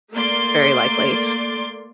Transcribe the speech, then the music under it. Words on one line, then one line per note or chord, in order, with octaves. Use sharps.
very likely.
A3 A#3 D5 C6